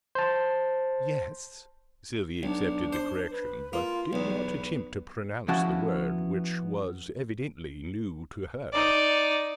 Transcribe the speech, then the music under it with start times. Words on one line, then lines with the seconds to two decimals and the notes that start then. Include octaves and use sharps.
"Yes." Sylvie accepted the correction, but did not attempt to pronounce the word, which was evidently new to her.
0.15 C5 A5
2.43 B1 D4
2.93 C5
3.31 B4
3.73 A#3 F4
4.13 B1 E2 B4
5.48 F3 B3 C#4 E4 F#4 A5
8.73 D#4 D5